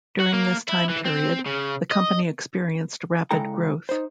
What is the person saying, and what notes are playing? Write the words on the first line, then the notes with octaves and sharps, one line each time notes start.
During this time period, the company experienced rapid growth.
F#4
A#3
E4
E3
C4
C#3
D#5
C#3 G#3 E4 A4 G5 A#5
D#4 C5